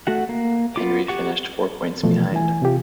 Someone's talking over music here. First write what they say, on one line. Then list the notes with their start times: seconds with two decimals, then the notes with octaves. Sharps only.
Henri finished four points behind.
0.07 A3 F#4 F#5
0.29 A#3
0.76 B3 F4 D6
1.08 F#4 G4 F#5 C#6
2.03 B2 E3 F3 A3
2.31 E3 E4 G#5
2.62 C3 F4 G4